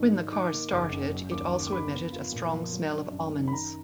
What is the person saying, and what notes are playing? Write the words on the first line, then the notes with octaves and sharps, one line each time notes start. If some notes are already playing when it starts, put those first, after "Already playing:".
When the car started, it also emitted a strong smell of almonds.
Already playing: G#2 D#3 F#3 D4
D#3
D#3 D6
A#3
F#1 D6
F#2
F#3
D#2 D6
D#2 D6
D6
D3 B5
B3
F4
A#2
F3
F#3
D4
F#2
D#3
B5
D#3 A#5